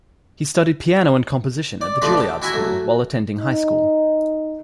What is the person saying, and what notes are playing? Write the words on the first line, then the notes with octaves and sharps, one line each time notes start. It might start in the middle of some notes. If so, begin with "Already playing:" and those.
He studied piano and composition at the Juilliard School while attending high school.
D5
F3 A3 C4 G4 B4 D5
G5 A5
E4 F#4 E5 G#5 A#5 B5
F#3 A3
D#4